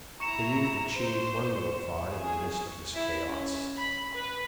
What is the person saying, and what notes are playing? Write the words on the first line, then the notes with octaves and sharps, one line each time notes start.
The youth achieved one little thought in the midst of this chaos.
E4 A#5 C#6 C#7 E7
C5
G#4
E4
C#4
B5
B4